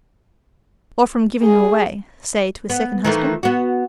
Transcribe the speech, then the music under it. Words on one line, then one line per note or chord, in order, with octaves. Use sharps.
"Or from giving them away,--say to a second husband."
G#4
B3
D#3 E3 A3
B3 F#4